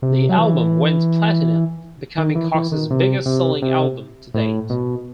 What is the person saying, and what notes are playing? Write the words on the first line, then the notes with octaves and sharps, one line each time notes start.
The album went platinum, becoming Cox's biggest-selling album to date.
C3
F#3
E3
D#3
E3
E3
D#3
C3
C3
C3
A2
B2